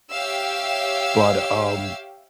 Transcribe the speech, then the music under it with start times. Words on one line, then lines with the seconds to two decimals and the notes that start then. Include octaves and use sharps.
but, um,
0.10 G4 C#5 E5 F5 G5 E6